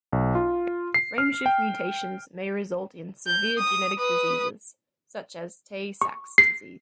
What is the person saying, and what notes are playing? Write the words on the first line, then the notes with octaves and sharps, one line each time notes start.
Frameshift mutations may result in severe genetic diseases such as Tay-Sachs disease.
B1
F4
C7
F6
G5
G6
D#6
B4 D#6
C#6
C7